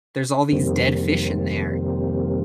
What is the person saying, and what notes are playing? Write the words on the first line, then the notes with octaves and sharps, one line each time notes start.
There's all these dead fish in there.
F2 C3 D#3 G3 A#3 C4